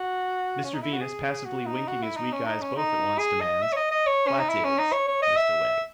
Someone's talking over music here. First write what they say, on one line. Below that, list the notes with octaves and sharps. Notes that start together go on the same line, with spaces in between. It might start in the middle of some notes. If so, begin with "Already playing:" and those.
Mr Venus, passively winking his weak eyes both at once, demands: 'What is, Mr Wegg?'
Already playing: F#4
C#4
D#4
E4
F#4
G#4
F#4
D#4
F#4
E4
D#4
C#4
D#4
C#4
D#4
G#4
D#5
E5
C#5
D#5
D#5
C#5
C#4
D#4
E4
C#4
D#4
C#5
C#5
D#5
E5